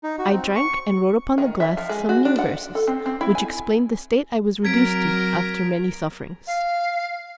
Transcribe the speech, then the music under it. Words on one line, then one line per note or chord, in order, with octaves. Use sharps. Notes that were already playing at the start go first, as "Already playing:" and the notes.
I drank, and wrote upon the glass some new verses, which explained the state I was reduced to, after many sufferings.
D#4
F#4
C4
C#6
D#3
E5
F3
G#3
F#4
D4
F#5
A4
C4
C4
E4
G#5
F#3 C4 A#4 F5 G#6 B6 D7
F5